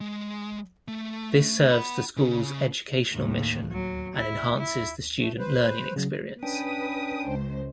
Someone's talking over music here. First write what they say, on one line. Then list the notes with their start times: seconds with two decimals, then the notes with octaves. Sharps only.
This serves the school's educational mission and enhances the student learning experience.
0.01 G#3
0.88 A3
1.70 F#5 B5
2.17 C#3
3.12 D#2 A2
3.72 F#3
4.16 E4
4.59 E4
5.20 A3
5.39 B4 C5
5.96 C#3 F#3
6.43 C#4 D4 B4 G5 D#6
7.28 C#2 C5